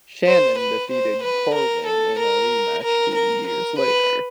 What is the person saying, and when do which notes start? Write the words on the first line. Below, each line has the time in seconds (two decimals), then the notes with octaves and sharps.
Shannon defeated Corwin in a rematch two years later.
0.27 C5
0.59 B4
0.91 C5
1.23 B4
1.55 A#4
1.87 A4
2.19 A#4
2.83 A#4
3.15 A#4
3.47 A#4
3.79 B4